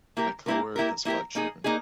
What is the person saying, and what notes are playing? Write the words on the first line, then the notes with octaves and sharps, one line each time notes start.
Makoare has five children.
A#3 E4 G4 A#4
A#3 E4 G4 A#4
A#3 E4 G4 A#4
A#3 E4 G4 A#4
A#3 D#4 G#4
A#3 D#4 G#4